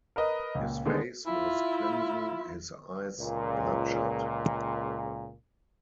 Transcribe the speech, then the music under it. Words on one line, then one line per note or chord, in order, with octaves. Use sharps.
His face was crimson, his eyes bloodshot.
A#4 B4 D#5
C#2 A#2
D3 D#3 G3 G#3 B3 D#4
E4 F4
C#2 A#2